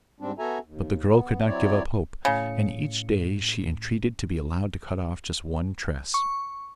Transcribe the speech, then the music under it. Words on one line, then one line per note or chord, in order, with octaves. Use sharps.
But the girl could not give up hope, and each day she entreated to be allowed to cut off just one tress.
G#2 G3 C4 D4
B3 F#4 A4 E5 G#5 A#5
D#2
B3
F#3 C4 E4 C#5 D5
A2 C#3 C#7
C#6